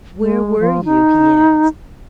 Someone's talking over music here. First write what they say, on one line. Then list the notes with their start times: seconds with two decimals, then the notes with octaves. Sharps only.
"Where were you?" he asked.
0.18 G#3
0.60 F3
0.85 D#4